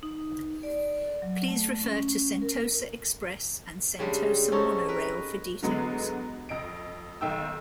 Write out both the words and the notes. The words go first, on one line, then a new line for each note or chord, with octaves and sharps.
Please refer to Sentosa Express and Sentosa Monorail for details.
D#4
D5
F#3
A3
C#4
A#4
C#3 G3 G#3 D4
C4 C#4 D#4 A4 C#5
A#4 B4
D3 F#3 G#3 B3
F2 D#5 D7
B1 D#3 G5 E6